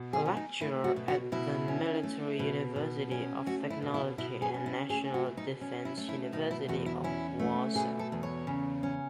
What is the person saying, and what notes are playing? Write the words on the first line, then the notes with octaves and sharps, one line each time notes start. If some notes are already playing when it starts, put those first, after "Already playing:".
A lecturer at the Military University of Technology and National Defence University of Warsaw.
Already playing: B2
G#4
C#4
D#4
A3 E4
F#4
B2
F#4
B2 E4
C#4
A3
B2
B2
C#4
A3 F#4
E4
B2
E4
B2 E4
G#4
C#4
E4
A3 G#4
F#4
B2
D#4
C#4
E4
A3
E4
B2 D#4
E4
E2 F#4
E4
C#4 E4
A3
B2 G#4
A4
E2
C#5
C#3
C#4